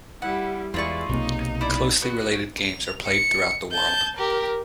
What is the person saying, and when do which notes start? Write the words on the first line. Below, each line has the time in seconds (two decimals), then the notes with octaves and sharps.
Closely related games are played throughout the world.
0.22 G3 E4 F#5
0.74 E2 G#3 E4 F4 D5 C#6
1.09 B1 C3 A#3 D#4
1.61 E4 D5
2.02 B3 F#4
2.63 F7
3.07 C#7
3.72 A5 G6
4.16 G4 A#4